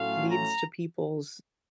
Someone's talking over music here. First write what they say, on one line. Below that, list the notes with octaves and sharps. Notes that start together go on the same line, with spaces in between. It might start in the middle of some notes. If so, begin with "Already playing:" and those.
leads to people's,
Already playing: A2 F#3 A3 C#4 F4 F5
A#5